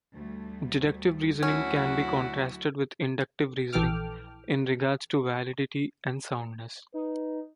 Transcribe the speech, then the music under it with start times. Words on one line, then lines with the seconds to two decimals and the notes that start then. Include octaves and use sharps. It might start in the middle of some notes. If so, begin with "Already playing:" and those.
Deductive reasoning can be contrasted with inductive reasoning, in regards to validity and soundness.
0.15 D2 G3 A3
1.43 D2 D3 F#3 C#4 E4 F#4 F#5
3.73 A#1 E3 A4 G5 D6 F6
6.94 D#4 B4